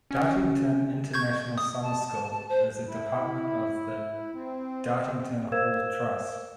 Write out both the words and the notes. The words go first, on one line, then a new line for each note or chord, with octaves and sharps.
Dartington International Summer School is a department of The Dartington Hall Trust.
C#4
C#6 G6 G#6
D#6
A5
C5
E4
C4
A#4 C5 F5 E6 G#6 E7